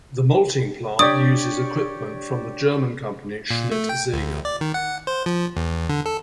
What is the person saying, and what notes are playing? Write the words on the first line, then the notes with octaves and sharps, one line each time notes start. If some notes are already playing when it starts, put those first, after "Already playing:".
The malting plant uses equipment from the German company Schmidt-Seeger.
D4 G4 C#5 D5 D#6
A#2
A3
G5
D2
D5
D#3
F#5
C5
F3
E2
D3
A4